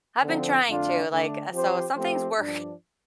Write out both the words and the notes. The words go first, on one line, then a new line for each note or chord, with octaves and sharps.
I've been trying to, like, so some things work
D3 F3 C4
F2 D3 A3 D4 F4
D3 A3 D4
F3 C4 G4 C5
F3 A3 C4 G4 C5
G2 F3 D4